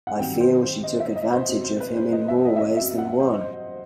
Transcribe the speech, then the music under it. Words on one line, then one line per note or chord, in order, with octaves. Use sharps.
I feel she took advantage of him in more ways than one.
F#5
G2 D#3 F#3 C4 G5
C5
C5
D#5
E5
D#5
C5
B2 F#3 C4 C5
C5
B4
C5
D#5
E5
D#5
E5
D#5
F#2 F#3 C4 E5
F#5
C5
D#5
C5